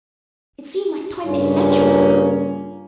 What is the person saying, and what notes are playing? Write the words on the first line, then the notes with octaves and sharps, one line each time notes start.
It seemed like twenty centuries.
G2 C#3 A#3 C#4 F4